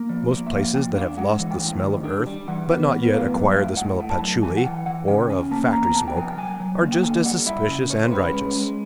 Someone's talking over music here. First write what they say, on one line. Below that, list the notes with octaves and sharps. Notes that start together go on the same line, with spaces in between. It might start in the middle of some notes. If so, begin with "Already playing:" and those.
Most places that have lost the smell of earth but not yet acquired the smell of patchouli--or of factory-smoke--are just as suspicious and righteous.
Already playing: A#3
F3
A#3
E5
F3 F5
F3 G5
D4 F5
G#3 F#5
E3
G5
A2
D#3
D4
G3
E3 F#5
B3
B3
A2 F5
F#3
E5
A2 F5
A2 F#5
A2
A5
F#3
E3 G#5
F#5
E3 G5
E3 F#5
C#3 G5
C#4 G#5
A#3 A5
E2 A#5
A#5
C3 A5
G5
F3 G#5
G5
F#3 G#5
F#3
A#3
G5
D3 G#5
G3 F#5
E4 E5
C#3
C#4 C#5
C5
C#4 B4
G#3
G#3